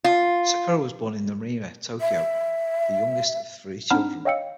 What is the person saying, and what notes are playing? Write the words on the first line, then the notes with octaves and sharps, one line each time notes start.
Sakura was born in Nerima, Tokyo, the youngest of three children.
F4
E5
C4 D4 D#4 F#5 B5 F6
C#5 D#5 F5 G5 E6 C#7